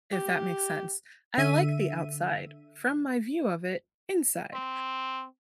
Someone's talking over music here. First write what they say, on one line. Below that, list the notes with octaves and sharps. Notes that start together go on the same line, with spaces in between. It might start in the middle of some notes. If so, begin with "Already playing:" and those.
if that makes sense. I like the outside, from my view of it inside,
G4
D3 E5 D#7
C4